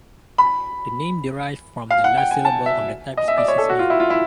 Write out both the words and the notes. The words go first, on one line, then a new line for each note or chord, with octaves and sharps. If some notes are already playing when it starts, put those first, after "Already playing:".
The name derives from the last syllable of the type species name.
B5
F5
F#5
G5
G#5
A5
E5
D#5
E5
D5
C#5
A4
F#4
F4
E4
F4
E4